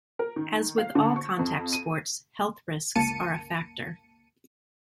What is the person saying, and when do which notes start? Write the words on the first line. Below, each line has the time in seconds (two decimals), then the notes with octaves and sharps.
As with all contact sports, health risks are a factor.
0.19 A#4
0.36 D#3
0.78 F5
0.95 D3
1.16 C#6
1.39 F2
1.73 D#7
2.95 G1 C#2 A#3 A5 C#7 D#7